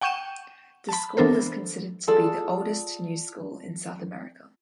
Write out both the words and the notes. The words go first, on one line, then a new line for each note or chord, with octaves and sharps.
The school is considered to be the oldest new school in South America.
F#5 G5 C#6 G6 D#7 E7
A5 B5
E3 B3 D4 A4 A#4 C5
F4 G#4 A4 D5